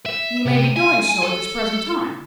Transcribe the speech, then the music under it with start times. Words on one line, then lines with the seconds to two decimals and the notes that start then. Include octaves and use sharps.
'He may be doing so at this present time.'
0.06 E5
0.46 C3
0.76 G#5
1.23 A4